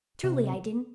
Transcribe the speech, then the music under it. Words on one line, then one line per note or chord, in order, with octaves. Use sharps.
Truly, I didn't.
C3